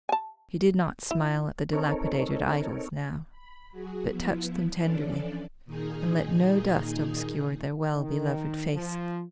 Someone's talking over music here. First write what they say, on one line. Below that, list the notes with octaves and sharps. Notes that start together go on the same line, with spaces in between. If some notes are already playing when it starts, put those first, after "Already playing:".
She did not smile at the dilapidated idols now, but touched them tenderly, and let no dust obscure their well-beloved faces.
G#5 A5
E4
C4 D#4 A4 A#4 C#5
B5
F#3 F#4 G#4
F3 B3 E4
E3 F3 C#4 D4 A4 D5
A#2 D#3 D#4 G#4
D#3
F3